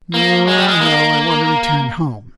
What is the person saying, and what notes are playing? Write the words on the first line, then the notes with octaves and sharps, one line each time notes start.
"No, no. I want to return home."
A#3
G#3
G3
G#3
A#3